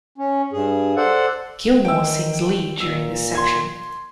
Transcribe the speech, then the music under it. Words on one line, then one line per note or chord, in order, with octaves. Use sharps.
Gilmour sings lead during this section.
C#4
G2 G#4
A4 C5 D5 F#5
D#3 G5 E6
A#2 E6
C6 G#6